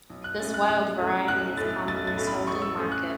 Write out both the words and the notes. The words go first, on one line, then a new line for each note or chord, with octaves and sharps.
This wild variety is commonly sold in market.
B1
F#6
A2 A3 C#4 A6
F#6
B1 F#6
A2 A3 C#4
B1 F#6
A2 A3 C#4 A6
B1 A6
A6
A2 A3 C#4
B5
A1 C#6
E6
A2 A3 C#4
F#6